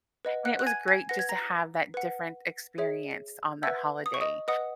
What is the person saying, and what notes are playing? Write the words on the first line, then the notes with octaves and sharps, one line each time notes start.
and it was great just to have that different experience, on that holiday.
B4 D#5 F#5
F#5 F#6
F#6
G#5 G#6
G#5 G#6
B4 F#5 A#6
G#6
A#5 A#6
B4 F#5
G#4 C#5 E5
B4 E5 F#5 E6
D#6
C#6
D#5 D#6
B4 D#5 F#5 D#6